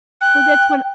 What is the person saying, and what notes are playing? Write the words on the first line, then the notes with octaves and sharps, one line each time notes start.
Well, that's what
G5 F#6